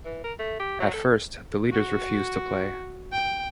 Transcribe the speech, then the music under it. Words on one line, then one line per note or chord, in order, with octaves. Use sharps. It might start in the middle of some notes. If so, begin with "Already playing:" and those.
At first, the leaders refuse to play.
E3
A#4
A3
G4
F#3
A4
F#4
G5